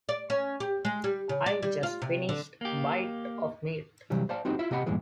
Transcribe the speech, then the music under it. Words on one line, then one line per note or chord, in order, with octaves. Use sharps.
I've just finished a bite of meat.
D5
C#4
G4
G#3
G3
C#3
D5
G3
F4
C3
D3
A#3 G4
C3 E3 F#3 G3
C5 D5 F5 A5
C4 D4 D#4 F#4 G4 C5
E4 F4 E5
C3 G4 D#5 F#5 B5
E2 G2 A#2 E3 G#3 G#4